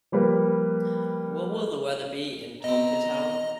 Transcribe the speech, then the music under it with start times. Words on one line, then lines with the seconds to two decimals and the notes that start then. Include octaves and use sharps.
What will the weather be in Tontitown?
0.12 F3 G3 A#3 B4
2.64 B2 C4 D#5 A#5